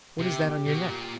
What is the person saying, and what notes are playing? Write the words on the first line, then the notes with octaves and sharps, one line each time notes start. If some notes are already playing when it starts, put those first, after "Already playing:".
"What is that on your neck?"
C3 G4
B2
A#2